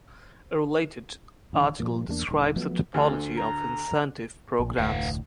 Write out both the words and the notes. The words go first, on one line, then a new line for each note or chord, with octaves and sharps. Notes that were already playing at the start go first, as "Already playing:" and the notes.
A related article describes a typology of incentive programs.
D1 D#3 D4
G2 A#2 F3 A#3
E2 G2 A#3 D4
D#1 D#3
F3 F#3 A3 B3
D2 D3
A#5
A#1 A#2
F1 D2 A2 B4 F5 F#5